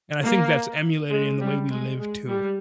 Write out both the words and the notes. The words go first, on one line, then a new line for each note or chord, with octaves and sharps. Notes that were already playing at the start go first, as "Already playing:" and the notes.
And I think that's emulated in the way we live, too.
A#3
G#3
G3
G#3
G#3
G3